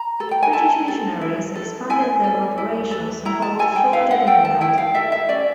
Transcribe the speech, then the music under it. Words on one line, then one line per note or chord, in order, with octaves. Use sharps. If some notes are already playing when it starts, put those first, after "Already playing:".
British missionaries expanded their operations and travelled further inland.
Already playing: A#5
A4
G5
G#5
E4 A5
A4
E4
A4
E4 G#5
A4
E4
A4
E4 A#5
A5
A4 G#5
G5
E4 F5
F#5
A4 G5
A5
E4 G5
F5
A4 E5
E5
C#4 D5